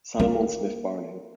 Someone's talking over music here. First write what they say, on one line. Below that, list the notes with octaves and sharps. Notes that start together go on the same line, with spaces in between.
Salomon Smith Barney.
A#3